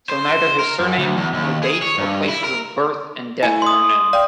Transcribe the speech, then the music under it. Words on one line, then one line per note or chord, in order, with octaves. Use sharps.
So, neither his surname, nor dates or places of birth and death are known.
C5
A#4
F#2
D2
E2
D#2
G#4
C#5
G2
E4
A#4
A3 E4 G#5
C6 D#6
D5 F5 G5